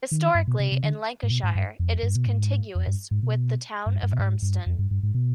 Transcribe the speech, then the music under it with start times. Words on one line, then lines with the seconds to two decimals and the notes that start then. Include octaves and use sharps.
Historically in Lancashire, it is contiguous with the town of Urmston.
0.11 D#3
0.35 G2
0.47 B2
0.59 C3
0.72 C3
0.83 D3
1.23 G#2
1.31 B2
1.43 G#2
1.55 G2
1.79 F2
2.03 G2
2.15 B2
2.27 G#2
2.75 F2
2.87 G2
3.11 G#2
3.23 B2
3.86 G2
4.03 G2
4.13 B2
4.19 G#2
4.42 G2
4.66 F2
4.79 G2
4.91 G2
5.03 G#2
5.14 B2